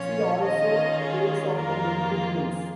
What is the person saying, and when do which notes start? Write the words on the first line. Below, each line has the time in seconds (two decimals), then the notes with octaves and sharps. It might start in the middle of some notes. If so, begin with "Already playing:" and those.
See also Caves of the Mendip Hills.
Already playing: A#2 F3 C#4 F4 C#5
0.44 D#3 C#4 F4 D#5
1.00 G#4
1.55 F2 D#3 A#3 F4 A#4
2.10 G#4